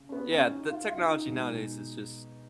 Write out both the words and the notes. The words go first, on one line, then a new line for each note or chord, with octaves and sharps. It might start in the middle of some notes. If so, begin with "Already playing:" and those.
Yeah, the technology, nowadays, is just
Already playing: C#3
C#4
B3
C#4
D#4
F4
F4
D#4
B2 G#3